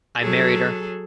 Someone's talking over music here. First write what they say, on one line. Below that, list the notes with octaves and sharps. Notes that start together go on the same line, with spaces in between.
I married her.
F#3 G#4 A4